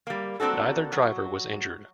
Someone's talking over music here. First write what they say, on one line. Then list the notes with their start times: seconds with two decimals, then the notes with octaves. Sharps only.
Neither driver was injured.
0.07 G3 A#3
0.40 A#3 C4 D4 F#4 A4
0.92 F#3